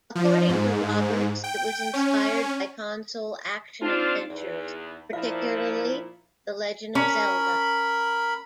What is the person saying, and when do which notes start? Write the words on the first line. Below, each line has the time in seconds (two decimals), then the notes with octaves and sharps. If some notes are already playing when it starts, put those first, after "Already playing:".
According to Roberts, it was inspired by console action-adventures, particularly "The Legend of Zelda".
0.15 F3
0.49 G#2
1.44 G5
1.93 C#4
3.82 C4 D4 D#4 F4
4.30 E2 D5
5.13 A#2 F3 E4 D5 E5 F5
6.95 C#4 A#4 B5